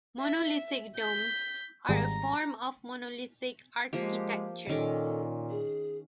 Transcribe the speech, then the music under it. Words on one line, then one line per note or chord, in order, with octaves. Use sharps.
Monolithic domes are a form of monolithic architecture.
E5
G6 B6
G#1 G3 G#4 A#5
F3 G#3 A#3 G4
A#2 D#3 C#4 A4 D6
G#4